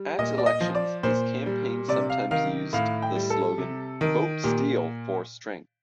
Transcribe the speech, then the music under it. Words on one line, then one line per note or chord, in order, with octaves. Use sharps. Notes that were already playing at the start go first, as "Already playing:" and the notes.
At elections his campaign sometimes used the slogan "Vote Steele For Strength".
Already playing: G3
A#2 D#5
D5
D#5
F3
D5
A#2 C5
G3
C3 D5
F5
D#3 F5
A2 F5
G5
G3
A4
C3
D#3
A#2 G4